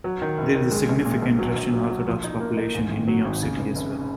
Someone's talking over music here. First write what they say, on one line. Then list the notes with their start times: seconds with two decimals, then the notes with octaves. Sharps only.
There is a significant Russian Orthodox population in New York City as well.
0.04 F#3
0.22 D#3
0.38 F#1
0.55 D#3
0.71 G#3
0.89 A#1
1.05 A#2
1.22 A#1
1.39 F#3
1.56 A#1
1.74 F#3
1.90 F#3
2.07 F3
2.24 D#4
2.41 A#3
2.57 D#4
2.75 G#2
2.91 G#1
3.08 F#3
3.24 G#1
3.42 C#3
3.59 F1
3.76 F1